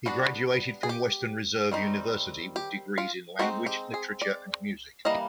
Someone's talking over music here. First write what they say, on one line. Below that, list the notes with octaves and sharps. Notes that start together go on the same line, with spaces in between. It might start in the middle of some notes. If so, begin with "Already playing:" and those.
He graduated from Western Reserve University with degrees in language, literature and music.
G3 B3 D4 F#4
G#4
G4
D#3 G3 C4 D#4
G4
F4
G#3 C4 D#4 F#4
G4
G#4
D5
E3 G3 A#3 D#5